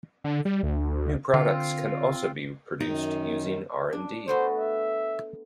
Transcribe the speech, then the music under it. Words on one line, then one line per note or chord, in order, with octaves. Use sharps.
New products can also be produced using R and D.
D3
G3
D2
D3 C4 F4
F#2 D#3 D#4
D4
A3 B3 F#4 C5
E5